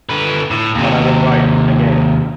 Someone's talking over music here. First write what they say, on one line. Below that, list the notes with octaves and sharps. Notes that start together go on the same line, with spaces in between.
But I was right - again!
D3 B4
A2
D#2 C3